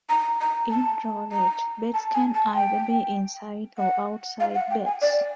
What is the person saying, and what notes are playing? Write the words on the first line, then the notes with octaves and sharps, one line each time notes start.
In roulette, bets can either be inside or outside bets.
A#5
A#5
A5
A#5
A5
G#5
A5
G5
F#5
F5
F#5
G5
G#5
D5